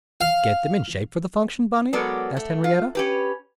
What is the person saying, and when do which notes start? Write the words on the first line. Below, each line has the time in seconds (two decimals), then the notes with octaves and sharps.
"Get them in shape for the function, Bunny?" asked Henriette.
0.21 F5
1.93 F#3 G#3 B3 A4 A#4 D5
2.37 A3
2.64 F4
2.95 C#4 G4 B4